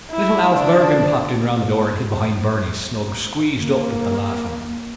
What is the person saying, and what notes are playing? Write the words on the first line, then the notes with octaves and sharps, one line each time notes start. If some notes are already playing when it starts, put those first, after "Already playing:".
Little Alf Bergan popped in round the door and hid behind Barney's snug, squeezed up with the laughing.
E4
D4
A#3